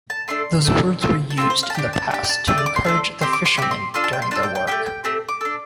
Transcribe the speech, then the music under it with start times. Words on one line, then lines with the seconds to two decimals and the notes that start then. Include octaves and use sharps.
Those words were used in the past to encourage the fisherman during their work.
0.10 A5
0.28 A3 D4 A4 C6
0.65 A3 D4 A4
1.01 C4 F4 A4
1.30 A5
1.37 C4 F4 A4 C6
1.50 C5
1.63 F5
1.70 A5
1.74 D4 G4 G5
1.93 A5
2.11 D4 G4
2.24 G5
2.29 A5
2.47 A3 D4 A4 G5
2.58 D5
2.66 D6
2.76 C6
2.84 A3 D4 A4
3.21 C4 G4 C6
3.33 D6
3.46 C6
3.57 C4 G4 D6
3.71 C6
3.94 D4 F4 A4 C6
4.04 A5
4.13 G5
4.22 C6
4.31 D4 F4 A4 A5
4.43 G5
4.55 G5
4.67 A3 C4 G4 G5
4.86 G5
5.04 A3 C4 G4 A5
5.29 D6
5.41 D4 A4